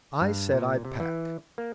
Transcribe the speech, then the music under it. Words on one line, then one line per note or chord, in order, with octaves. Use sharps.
I said I'd pack.
G2
A#2
C3
E3
A#3